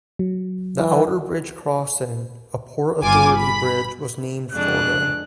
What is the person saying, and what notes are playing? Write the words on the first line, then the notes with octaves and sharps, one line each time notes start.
The Outerbridge Crossing, a Port Authority bridge, was named for him.
F#3
E3
G1 F4 G#5 D6
B5
F2 G#3 D4 F#6